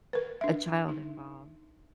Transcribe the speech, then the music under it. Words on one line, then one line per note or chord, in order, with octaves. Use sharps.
a child involved.
A#4 B4
D4 E5
D#4